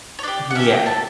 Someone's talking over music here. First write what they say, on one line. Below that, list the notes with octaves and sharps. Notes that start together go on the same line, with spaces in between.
Mhm, yeah.
C#5
D4 G4 D5
F#5
C#4 E4 G4 E5
G5
D4 A4 A5